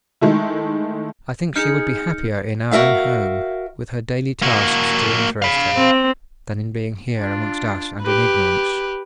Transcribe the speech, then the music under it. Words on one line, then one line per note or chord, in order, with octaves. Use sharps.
I think she would be happier in our own home, with her daily tasks to interest her, than in being here amongst us and in ignorance.
D#3 G#3 A3 E4
D#4 G#4 F6 G6 C#7
F#4 A4 A#4 E5 F5
A#3 F#4
F5 B5
C4
D4 F4
G4 B4